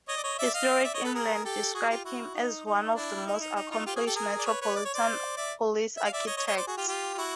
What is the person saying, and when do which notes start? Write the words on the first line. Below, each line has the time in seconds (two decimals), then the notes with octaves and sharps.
Historic England describe him as "one of the most accomplished Metropolitan Police architects".
0.09 C#5 D#5
0.16 D5
0.24 C#5 D#5
0.38 D5 E5
0.54 D#5 F5
0.80 D#5
0.84 D5 E5
0.94 C#5 D#5
1.04 A4 B4
1.14 G#4 A#4
1.33 G#4
1.45 G4 A4
1.75 F#4 G#4
1.90 F4 G4
2.04 E4 F#4
2.34 D#4
2.66 D#4
2.95 D4 E4
3.26 D#4
3.33 E4
3.40 D#4
3.56 D#4
3.70 D#4 F4
3.86 F4 G4
3.96 F#4 G#4
4.06 G4 A4
4.15 G#4 A#4
4.38 D5
4.46 B4 C#5
4.61 B4 C#5
4.76 D5
4.85 C#5
4.94 C5 D5
5.36 D5 E5
5.97 E5
6.05 F5
6.13 D5 E5
6.27 C#5 D#5
6.37 C#5 D#5
6.47 C#5 D#5
6.57 C5 D5
6.67 F#4 G#4
6.77 F4 G4
6.88 F4 G4
7.14 F4
7.18 E4 F#4